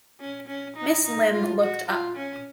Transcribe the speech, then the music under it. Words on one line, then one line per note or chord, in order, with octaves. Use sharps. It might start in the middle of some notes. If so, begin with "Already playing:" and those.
Miss Limb looked up.
C#4
C#4
D#4
D#4
F4
F#4
F4
C#4